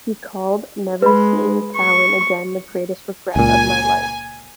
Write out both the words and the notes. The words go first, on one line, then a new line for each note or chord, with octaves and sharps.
He called never seeing Cowan again the greatest regret of my life.
G#3 B4 B5
C#6
C#2 A#2 G#5